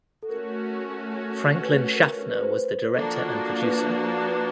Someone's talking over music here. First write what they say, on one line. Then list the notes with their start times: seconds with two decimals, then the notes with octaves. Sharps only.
Franklin Schaffner was the director and producer.
0.23 A4
0.29 A3 C#4 F#4 A#4
1.62 B4
1.96 A#4
2.29 B4
2.40 C5
2.52 B4
2.95 F3 A#3 D4 F#4 A4
3.62 B4
4.28 B4